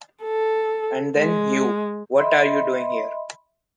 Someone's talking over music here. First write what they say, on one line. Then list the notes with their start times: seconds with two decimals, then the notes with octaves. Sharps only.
And then, you, what are you doing here?
0.23 A4
1.18 G#3
2.18 D#5 E5 B5 C6